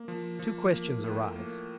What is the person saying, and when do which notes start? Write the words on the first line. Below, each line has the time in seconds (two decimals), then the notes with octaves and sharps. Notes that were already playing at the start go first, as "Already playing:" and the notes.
Two questions arise.
Already playing: A#3
0.08 F3
0.39 F3
0.72 A#3
1.04 A2
1.36 A#3